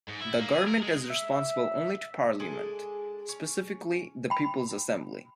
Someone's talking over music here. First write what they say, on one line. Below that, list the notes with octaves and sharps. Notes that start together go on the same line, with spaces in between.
The government is responsible only to Parliament, specifically the People's Assembly.
G#2
E4
A#3
G#4
A#4
G#3
E5
G#3 D4 G#4 A4
C#4
G5 B5